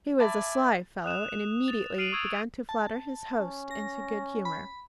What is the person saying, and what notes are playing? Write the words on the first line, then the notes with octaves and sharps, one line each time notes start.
He was a sly fellow, and immediately began to flatter his host into good humor.
D5 E5 G#5 A5 B5 A6
D#6 F#6 E7 F7
A6 F7
F6 C7 D7 D#7 F7 F#7
C#6 D#6 E6 G#6 A6
A5
C#4
A#6
B5